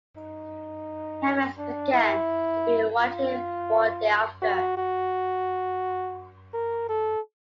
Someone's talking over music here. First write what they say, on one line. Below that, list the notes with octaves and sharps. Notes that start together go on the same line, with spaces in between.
Helmets began to be widely worn thereafter.
D#4
D4
E4
F4
F#4
F#4
A#4
A4